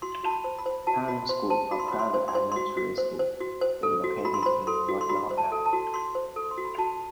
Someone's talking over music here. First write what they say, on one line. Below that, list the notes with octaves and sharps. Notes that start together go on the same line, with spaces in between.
Tarleton School, a private elementary school, is located on Waterloo Avenue.
F#4 C6
F#4 A5
B5
C5
B5
C5
F#4 A5
F#4 B5
C5 C6
C5 A5
F#4 B5
C6
F#4 B5
C6
C5
C6
C5
F#4 C6
F#4
C5
C5
F#4
C5
A4
F#4
F#4 B5
C6
C5 B5
A4 C6
F#4
C6
F#4 B5
C5
A5
A4
A5
F#4
F#4 C6
C5
A4
C6
F#4
B5
F#4 A5